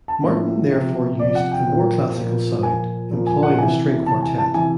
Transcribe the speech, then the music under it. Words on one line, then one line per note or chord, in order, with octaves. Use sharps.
Martin therefore used a more classical sound, employing a string quartet.
A5
A2 F3
C3 F3
C3 F3 D5
F#5
G5
A#2 F3
A#2 F3
A#2 F3 G#5
A#2 F3
G#5
F#5
C3 E3 G#5
C3 E3 A5
G#5
A5
C3 E3 G#5